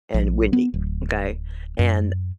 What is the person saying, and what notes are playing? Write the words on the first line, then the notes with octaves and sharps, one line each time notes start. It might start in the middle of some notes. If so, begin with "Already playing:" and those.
and windy. Okay? And,
A#1
B3
D1
F#2